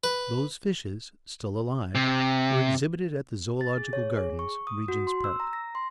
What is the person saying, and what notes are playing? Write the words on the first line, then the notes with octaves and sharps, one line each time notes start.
Those fishes--still alive--were exhibited at the Zoological Gardens, Regent's Park.
B4
C3
A6
G#4
C#5
G#4
C#6
D#6
F#4
C6
E6
A#5
A#6
C6